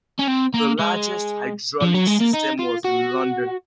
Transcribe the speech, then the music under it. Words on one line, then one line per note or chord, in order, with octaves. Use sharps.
The largest hydraulic system was in London.
C#4
C4
A#3
G#3
F3
F#3
G#3
A#3
D#4
F4
F#4